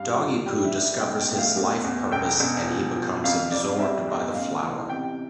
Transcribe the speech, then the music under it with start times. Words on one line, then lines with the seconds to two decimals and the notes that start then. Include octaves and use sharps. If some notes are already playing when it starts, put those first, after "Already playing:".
Doggy Poo discovers his life purpose and he becomes absorbed by the flower.
Already playing: G2 F5
0.18 F3
0.45 G3 G5
0.65 E5
0.74 G3
0.82 E5
1.01 B1 G5
1.20 G5
1.29 A2
1.38 F5
1.56 E2
1.84 E2
2.12 E1 G5
2.40 E1
2.68 F3
2.96 F3
3.24 F2 F5
3.52 F2 D5
3.78 G3 E5
4.07 B1
4.34 A1 F5
4.62 E3
4.89 C3 G5